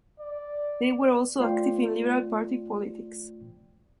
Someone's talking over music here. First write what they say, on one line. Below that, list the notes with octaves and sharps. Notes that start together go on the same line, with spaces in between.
They were also active in Liberal party politics.
D5
A3 F4 C5 D5 G5 C6